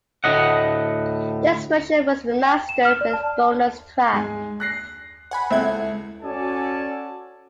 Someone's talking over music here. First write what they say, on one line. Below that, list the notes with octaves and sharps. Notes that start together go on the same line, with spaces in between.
This version was remastered with bonus tracks.
D2 A2 D#5 F#5
G5
E7
F6
D5
A5
G#2 G#3 G#4 G#5
F#6 A#6 C7
F#5 G#5 B5
C#2 C4 E4 A4 F#6 G#6
C#4 F#4 A4 D5 G#5 A5